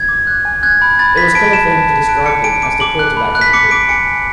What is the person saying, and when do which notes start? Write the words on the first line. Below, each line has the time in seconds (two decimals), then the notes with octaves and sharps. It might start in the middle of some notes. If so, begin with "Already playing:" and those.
It was common for him to describe them as the "quarterbacks" of the crew.
Already playing: G#6
0.09 D6
0.27 F#6
0.45 G#5
0.63 F#6 G#6
0.82 B5
0.99 B5 A6
1.17 B5 B6
1.35 A5 D7
1.53 A5 E7
1.71 A5
1.91 A5
2.09 F#6 D7
2.26 D6 C#7
2.44 G#5 D7
2.62 D6 D7
2.80 D6 F#7
2.99 F#6
3.17 B5
3.35 F#6
3.41 B6
3.53 D6 C#7
3.71 D6 D7
3.89 G#5 C#7
4.08 D6